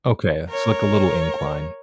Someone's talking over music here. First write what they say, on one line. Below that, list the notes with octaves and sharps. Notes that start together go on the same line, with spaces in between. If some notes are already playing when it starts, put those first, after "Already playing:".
Okay. It's like a little incline.
A#4 C#5